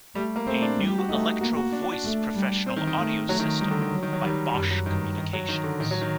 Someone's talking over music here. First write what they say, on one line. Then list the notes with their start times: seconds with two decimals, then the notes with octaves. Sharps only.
A new Electro-Voice professional audio system by Bosch Communications.
0.15 G3 A3
0.36 A#3
0.47 A3 C4
0.62 D4
0.78 G3
0.87 G4
0.98 F#4
1.09 A3 D#4
1.40 A#3 F#4
1.56 F#4
1.72 D4
1.82 D4
1.92 D4
2.04 A3
2.35 G3
2.66 C4
2.77 D#3
2.87 D#3
2.97 A3
3.29 F#3 A3
3.40 D#3
3.61 D#3 G3
3.71 D3
3.81 D#3
3.92 F#3
4.03 D#3
4.13 F#3
4.23 D#3 G3
4.54 F#2 G3
4.70 F#3
4.86 G2 D#3
5.17 D#3
5.33 F#3
5.49 D#3
5.64 D3
5.80 A2 D#3
5.91 F#3
6.01 D#3